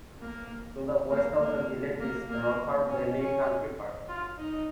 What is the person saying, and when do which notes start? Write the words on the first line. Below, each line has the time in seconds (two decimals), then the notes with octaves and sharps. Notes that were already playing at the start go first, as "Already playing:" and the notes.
To the west of the village is Rother Valley Country Park.
0.21 A#3
1.10 A#3
1.40 A#3
2.00 A#3
2.30 A#3
2.89 C#4
3.19 C#4
4.09 F4
4.38 D#4